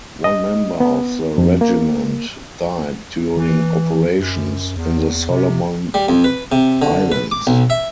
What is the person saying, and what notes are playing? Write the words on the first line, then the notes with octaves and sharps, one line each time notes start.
One member of the regiment died during operations in the Solomon Islands.
D#5
B3
F2
A#3
E3
F#2
E2
C3
G3
F2
B4
C3
D3
B4
D6
B1
E5